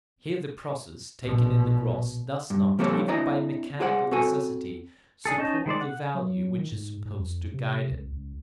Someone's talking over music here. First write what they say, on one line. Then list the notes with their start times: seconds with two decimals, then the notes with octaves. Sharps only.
Here the process, taken in the gross, does not, even by mechanical necessity, support the value which is supposed to guide it.
1.23 A#1 B2
2.50 G2
2.79 F3 G3 A#3 C4 A4 C#5
3.08 C4 D4 E4 D5 D#5 A#5
3.80 F4 G#4 C5 D5 F#5
4.11 C4 F#4 A4 G#5
5.25 D4 D#4 G#4 A4
5.38 C#4 D#4 D#5 A5 G6
5.66 D#3 G#3 C5 D5
5.81 F#5
6.15 F#3
6.57 D#3
6.72 G#2
7.05 G#2
7.19 F2
7.54 C3
7.91 C#2
8.12 C#2